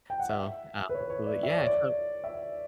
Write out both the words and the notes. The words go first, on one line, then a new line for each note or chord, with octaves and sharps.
So, uh well, yeah, so
G5
F#5
E5
B4
C#5
C#5
D5
E5
D5
C#5
D5
E5